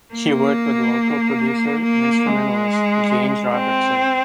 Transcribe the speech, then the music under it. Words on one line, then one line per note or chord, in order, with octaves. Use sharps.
She worked with local producer and instrumentalist, James Robertson.
A#3
A#3
G#3
C4